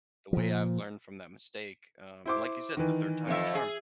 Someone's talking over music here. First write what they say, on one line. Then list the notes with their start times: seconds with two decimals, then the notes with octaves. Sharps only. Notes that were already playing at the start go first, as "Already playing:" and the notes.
the way I've learned from that mistake, um, and like you said, the third time's a charm.
0.33 A#2 F3
2.26 E4 C5 D6
2.77 D#3 E3
3.27 F2 E5
3.55 G#4